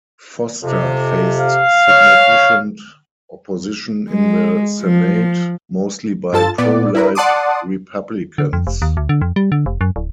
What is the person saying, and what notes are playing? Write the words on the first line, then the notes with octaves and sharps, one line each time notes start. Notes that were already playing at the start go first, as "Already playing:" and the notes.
Foster faced significant opposition in the Senate, mostly by pro-life Republicans.
F2 C3
F5
C#5 F6
G#3
F3
G2 F4 A4 A5 A6
A#2 B3 D5
E4 A#4 B4
D5 F#5 A5 C6 D6 D#6
D3
F2
F1
D#2
D2
D3
F2
G3
D3
F1
F#2
D1